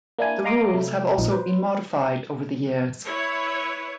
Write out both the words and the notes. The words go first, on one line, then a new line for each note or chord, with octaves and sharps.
The rules have also been modified over the years.
A#3 D4 E4 G#5
D#5 F5 A#5 C6 D6 D#6
C3 A3
A#1 F3 D#4
B4 C5
E4 B4 C#5